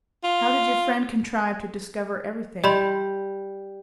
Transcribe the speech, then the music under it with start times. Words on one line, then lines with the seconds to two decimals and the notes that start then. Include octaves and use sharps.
How did your friend contrive to discover everything?
0.24 F4
2.64 G3 D#5 B5 C6